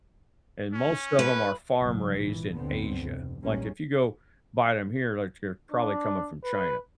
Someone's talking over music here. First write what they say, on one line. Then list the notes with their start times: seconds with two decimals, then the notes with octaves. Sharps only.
and most of them are farm-raised in Asia. Like, if you go buy them here, like, they're probably coming from China.
0.73 C#4
1.19 B4
1.79 F#1 C#2 G#2 F#3
2.14 G#1 A#2 E3
2.55 G1 D2 B2 D3 B3 C4
3.06 F1
3.42 A#1 G3 G#3 A#3 C#4
5.71 D4
6.44 B4